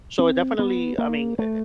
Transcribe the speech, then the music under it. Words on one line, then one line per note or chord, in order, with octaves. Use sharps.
So I definitely, I mean e e
C4
B3
A#3
A3